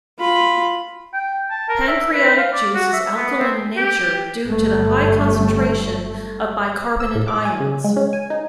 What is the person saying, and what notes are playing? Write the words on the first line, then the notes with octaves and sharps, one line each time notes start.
Pancreatic juice is alkaline in nature due to the high concentration of bicarbonate ions.
F4 B5
G5
A5
A#4
E5
B4
F5
D5
F#4
E5
B3
C4
G4
G1 A3
E6
A2
D6
G#5
C#3
G#3
C#4
G#5
D#4